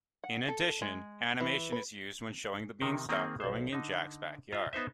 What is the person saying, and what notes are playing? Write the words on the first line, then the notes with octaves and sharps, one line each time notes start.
In addition, animation is used when showing the beanstalk growing in Jack's backyard.
F#5
A4
G#3
E3
B4
C3 D#3 D#4
D#3 A#3 C4 G#4
B1 C5
D3 D#4
F4 E5 A#5
B3 D#4 C5 E5